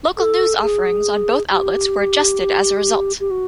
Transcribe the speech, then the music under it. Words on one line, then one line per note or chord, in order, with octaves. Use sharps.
Local news offerings on both outlets were adjusted as a result.
A4
A4
G#4
G4
G4
F#4